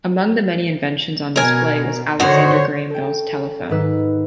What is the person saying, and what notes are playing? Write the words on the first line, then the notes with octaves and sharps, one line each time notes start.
Among the many inventions on display was Alexander Graham Bell's telephone.
B2 A#4 G#5
D3 D#3 F#4 C5 C#5
A4 G5
G#2 D#3 B4 E6